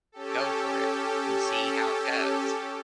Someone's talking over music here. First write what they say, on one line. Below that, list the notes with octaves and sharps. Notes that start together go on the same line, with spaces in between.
go for it and see how it goes
C#4 G4 A4